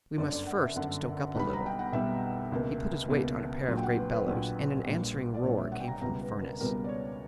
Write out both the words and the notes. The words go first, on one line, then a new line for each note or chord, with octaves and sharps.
"We must first stoke up a little." He put his weight on a pair of great bellows, and an answering roar came from the furnace.
G1 F#2 D3 D5
D5
F#5
E5
G1 F#2 D3 F#5
B1 B2 G3 B3 B5
A#5
G5
F#5
B1 B2 G3 B3 E5
C#2 B2 A#3
C#2 B2 A#3
A#1 A#2 F#3
G5
F#5
B4
B4
A#1 A#2 F#3
A#1 A#2 G3
D5
A#1 A#2 G3 C#5
E5
F#5
G5
A#5
C#2 B2 G3 B3 A#5
B4
A#4
C#2 B2 G3 B3 A#4
B4
D5
C#5